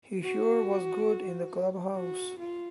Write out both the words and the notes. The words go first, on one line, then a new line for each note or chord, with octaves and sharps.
He sure was good in the clubhouse.
F#4
F#4
F4